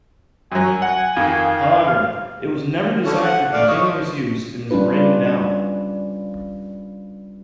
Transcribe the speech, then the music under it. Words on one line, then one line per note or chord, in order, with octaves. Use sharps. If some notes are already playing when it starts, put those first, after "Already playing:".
However, it was never designed for continuous use and is breaking down.
F#2 F#3 G#5
F#5
F2 D#3 F5
F5
D3 C#4 A4
F#5
A3 D5 F5
C#5 D#5
F3
G3 C#4 D4 F4 B4